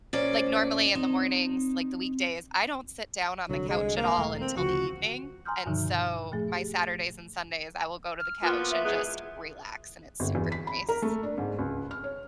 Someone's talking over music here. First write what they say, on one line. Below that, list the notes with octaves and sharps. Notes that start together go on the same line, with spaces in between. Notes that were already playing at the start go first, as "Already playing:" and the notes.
like, normally in the mornings, like, the weekdays, I don't sit down on the couch at all until the evening. And so, my Saturdays and Sundays, I will go to the couch and just relax and it's super nice.
A#2 C#4 C5 D5
C4 D#4
C2 D3 F#3
G#3
A#3
E1 E3 A3
C4
D2 C#3 F3 F#4
G#5 A#5 C6 D#6 F6 G6
G2 B2 D3 D#3 F3 D#4
A#2 F3 A3 G#4
G4
F6
F3 A#3 B3 F4
E5
E2 G#3 B3
G1
E2
B6
B5
A#4
A3
D4
G#2
C#2
F6
C#5